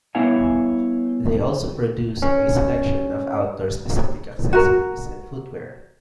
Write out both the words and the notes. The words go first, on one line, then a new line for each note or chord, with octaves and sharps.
They also produce a selection of outdoor specific accessories and footwear.
G3 B3 E4 C#5 F5 G#5
C#4
F#4 A#4